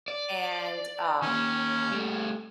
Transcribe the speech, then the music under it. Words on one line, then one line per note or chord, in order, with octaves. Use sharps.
and, um,
D5
D#3 A#3 C#4
G3 A3